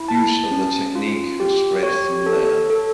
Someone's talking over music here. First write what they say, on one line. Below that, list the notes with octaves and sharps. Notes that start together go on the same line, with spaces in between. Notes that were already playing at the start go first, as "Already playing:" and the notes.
Use of the technique has spread from there.
Already playing: E4
A5
C#4
F4
G4
C#5
A4
A4